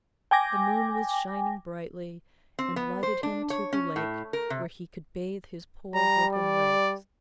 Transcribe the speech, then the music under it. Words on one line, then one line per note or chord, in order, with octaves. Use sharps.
The moon was shining brightly, and lighted him to the lake where he could bathe his poor broken legs.
G5 G#5 D6 A#6
C4
B3
C5
D4
C#5
C#4
A2
A#4
C3
G3 A#5
D5